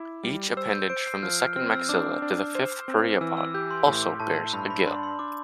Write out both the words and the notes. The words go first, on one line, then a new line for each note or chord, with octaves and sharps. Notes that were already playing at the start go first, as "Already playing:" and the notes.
Each appendage from the second maxilla to the fifth pereiopod also bears a gill.
Already playing: E4 D6
G3
C5 E6
G6
C5 D7
C7
F3 F6
F6
C4 F6
E6
D4 D6
D4
C5
C4
E3 E6
E6
G4 G6
C6
A2
A2 A5
G2 B5
B5
D4 C6
C6
D4 D6